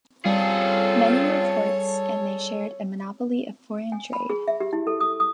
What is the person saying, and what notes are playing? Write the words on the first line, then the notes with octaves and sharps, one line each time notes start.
Many were ports and they shared a monopoly of foreign trade.
G3 C4 C#4 F4 G#4 A4 C#5
G#5
B5
G#4
E5
G4
E4
A4
D#6
D#6